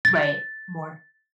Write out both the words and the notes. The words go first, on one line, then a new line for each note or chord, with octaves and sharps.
Right. More.
A6